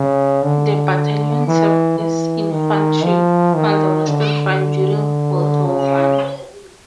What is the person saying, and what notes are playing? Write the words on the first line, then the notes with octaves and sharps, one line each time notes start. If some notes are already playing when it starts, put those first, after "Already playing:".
The battalion served as infantry on the Western Front during World War One.
Already playing: C#3
D3
E3
E3
D#3
F3
D#3
D3
C#3